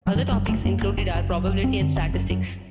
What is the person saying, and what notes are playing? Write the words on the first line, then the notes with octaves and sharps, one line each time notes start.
Other topics included are probability and statistics.
F#3
F#2 D#3
F#1 G3
F#1 A3
F#2 A#3
F#1
F#1
F#1
F#2
F#1
F#2 C4
D3
F#1
F#2
F#2